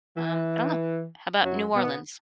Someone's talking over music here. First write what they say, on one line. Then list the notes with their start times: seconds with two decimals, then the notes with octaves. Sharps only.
Um, I don't know. How 'bout New Orleans
0.17 E3
1.42 F#2 F#3
1.74 B2 B3